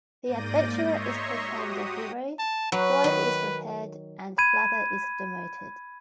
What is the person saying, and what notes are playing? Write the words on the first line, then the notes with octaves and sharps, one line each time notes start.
The adventurer is proclaimed a hero, Floyd is repaired, and Blather is demoted.
G#2 A#3 D5 G6 A#6 D#7
C#5 D#5 E5 A#5 C6 C#6
F#4 G4 D#6
A5
F#3 B4
D#3
B5 G#6 D#7